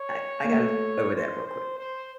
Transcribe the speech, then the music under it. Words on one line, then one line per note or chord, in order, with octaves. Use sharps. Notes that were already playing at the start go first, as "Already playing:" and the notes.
I I got over that real quick.
Already playing: C#5
A#3
A3
C5
C5
C5